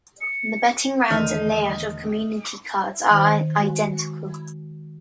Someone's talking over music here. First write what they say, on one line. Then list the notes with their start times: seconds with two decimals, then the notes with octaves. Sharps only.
The betting rounds and layout of community cards are identical.
0.21 C#7
1.10 E1 D3 D#3 A3 D4 D#4 F6
3.10 D#3 D#4 C5
3.57 G#3 F#4